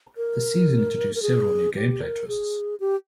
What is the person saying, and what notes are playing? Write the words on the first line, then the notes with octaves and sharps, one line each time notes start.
The season introduced several new gameplay twists.
A#4
A#4
G#4
G4
A#4
G#4
G4